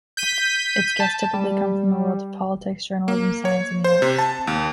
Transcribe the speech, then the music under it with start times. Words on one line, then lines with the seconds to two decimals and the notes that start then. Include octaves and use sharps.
Its guests typically come from the worlds of politics, journalism, science and the arts.
0.17 G6 B6 D#7
1.00 A5
1.34 G3
3.08 A#3
3.45 C#5
3.84 C5
4.02 C3
4.18 A5
4.47 D#2